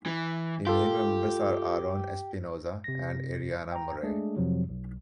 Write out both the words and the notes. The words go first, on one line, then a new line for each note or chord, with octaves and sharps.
The main members are Aaron Espinoza and Ariana Murray.
E3
F4 G4 A4
C3 A#6
G5 A#5
G#3 A3 D4 G#4
F2 C3 F3 F#3
B1